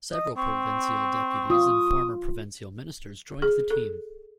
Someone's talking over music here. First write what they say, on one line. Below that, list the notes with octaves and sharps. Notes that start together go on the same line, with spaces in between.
Several provincial deputies and former provincial ministers joined the team.
D#5
C4 C#6
F4 D#6
G#4
A4